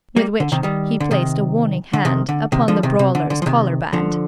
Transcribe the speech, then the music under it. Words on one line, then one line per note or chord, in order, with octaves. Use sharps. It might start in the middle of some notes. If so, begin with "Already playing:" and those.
With which he placed a warning hand upon the brawler's collarband.
G3 A#3
D3
C3 D#3
D#3 G3
D3
C3 D#3
D3
C3 D#3
D3
C3 D#3
D3 F3
C3 D#3
C3
D3
D3
F3
C3 D#3
D3 F3